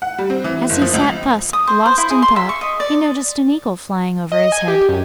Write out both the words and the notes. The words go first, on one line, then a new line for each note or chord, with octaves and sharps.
As he sat thus lost in thought, he noticed an eagle flying over his head.
F#5
G3
C4
E3
F#1
F3
C#2
D#6
C5
C5
E4
G#4
C6
E5
C#6
D#5
D5
D#5
G#5
G4
F#2